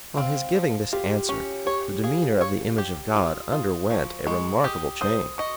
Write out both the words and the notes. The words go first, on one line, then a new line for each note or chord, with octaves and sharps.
On his giving this answer the demeanour of the image of God underwent a remarkable change.
C4 F5
F3
F4 G4
C#4
G4 C#5
G#4 F5
C#5
G4
F4 D#6
F4 D#6
F3 C#6
G#3 C#6
G4 D#6
C5 D#6
D#5 C#6